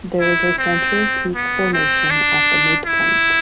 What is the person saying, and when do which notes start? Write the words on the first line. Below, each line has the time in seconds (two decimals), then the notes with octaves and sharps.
There is a central peak formation at the midpoint.
0.20 E4
0.58 C4
1.35 B3
1.73 C4
2.10 D4
2.86 E4